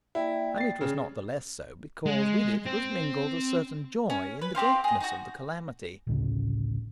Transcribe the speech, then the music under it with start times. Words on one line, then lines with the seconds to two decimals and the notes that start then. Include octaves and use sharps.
And it was not the less so because with it was mingled a certain joy in the greatness of the calamity.
0.15 A#3 E4 D5 G5
0.58 A6 C7
0.81 C#3 G#4
2.06 G#3
2.67 C4
4.10 C#4
4.41 B4
4.55 C4 G4 C5 F5
4.84 G#4 D#5
5.01 D#4 F#4
6.07 A1 D2 A2 C#3